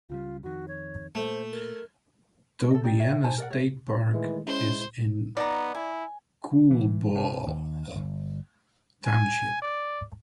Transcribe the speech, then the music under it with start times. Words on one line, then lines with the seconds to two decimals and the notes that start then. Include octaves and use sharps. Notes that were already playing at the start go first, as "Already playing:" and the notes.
Tobyhanna State Park is in Coolbaugh Township.
0.10 C#2 C#3 G3 F4
0.43 F2 D#3 F#4
0.68 C#5
1.15 A#2 A3 C5
1.52 A#4
2.71 A4 D#5
2.83 D#4 G4 D5 G5
3.00 A#4 C#5 E5 G5
3.24 D#4 C5 G#5 A5
3.38 A#4 D5 F#5
3.50 C#5 E5
4.13 D#3 E3 G#3 A3
4.47 G#3 C#4 E4 C5
5.37 B3 D#4 D5 A#5
5.75 E4 G#5
6.71 E3
7.15 C3
7.47 D#2
7.95 G1
9.06 G#5
9.62 D5